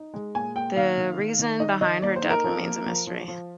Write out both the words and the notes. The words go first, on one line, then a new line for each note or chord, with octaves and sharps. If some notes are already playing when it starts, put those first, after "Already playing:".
The reason behind her death remains a mystery.
Already playing: D#4
G#3
A#2 G#5
A#2 G5
D#3 F5
D#3
D#3
D#3
D#4 D#5
D#3 D#5
A#3 D5
C5
D#4
A#4
F3
A#3
F3
F3
F3